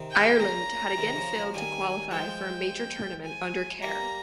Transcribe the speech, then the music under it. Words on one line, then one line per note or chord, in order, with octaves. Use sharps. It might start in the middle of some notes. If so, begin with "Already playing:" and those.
Ireland had again failed to qualify for a major tournament under Kerr.
Already playing: C3 D#3
G5
A#2 C#3 A#5
C3 D#3
C#3 F3
C#3 F3
D#3 G3 G#5
F3 G#3 G5
G#5
G3 A#3 A#5